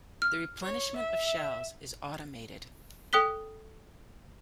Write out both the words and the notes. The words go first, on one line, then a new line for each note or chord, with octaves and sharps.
The replenishment of shells is automated.
F6
C#5
E5
A4 G5 D#6 F#6 B6 G7